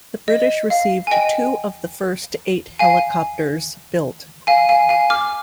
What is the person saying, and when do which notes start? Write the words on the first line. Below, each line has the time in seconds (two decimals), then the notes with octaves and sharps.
The British received two of the first eight helicopters built.
0.28 D#5
0.70 F5
1.07 G#5
1.11 D#5 G5
2.79 F5 G#5
4.47 F5 G#5
4.69 F5 G#5
4.89 F5 G#5
5.10 D6 F6